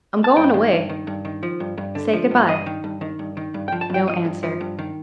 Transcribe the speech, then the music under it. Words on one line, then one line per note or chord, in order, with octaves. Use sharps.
I'm going away; say good-by.' No answer.
A5
G2 G5
D#3
G2
D#3
G2
D#3
F3
G2
G2
D3
F3
G2
G2 D#5
D#3
G2
D#3
G2
D#3
G2
G5
F3
A5
G2 G5
F3 D#5
G2
F3
G2
D#3